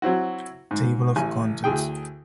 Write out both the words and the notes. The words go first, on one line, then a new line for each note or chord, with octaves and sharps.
Table of Contents.
F#3 C4 E4 F#4
G#2
A1 G#5
D2 E4 G#4 G5